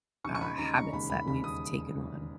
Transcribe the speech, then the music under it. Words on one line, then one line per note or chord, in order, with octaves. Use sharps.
uh, habits that we've taken on.
D#2 C#3 G#3 C#6
C#6
B5
D#2 C#3 G#3 A#5
C#6
E1 D#2 C#3 B5
B5
E1 D#2 C#3 B5
D#6